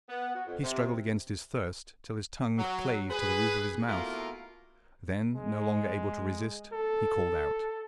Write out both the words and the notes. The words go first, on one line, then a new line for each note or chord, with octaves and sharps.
He struggled against his thirst till his tongue clave to the roof of his mouth; then, no longer able to resist, he called out.
B3
F#4
F2
C3
F#3
G#4 B4
B2 A3 A#3 E4 F4 A#4
G#3
A4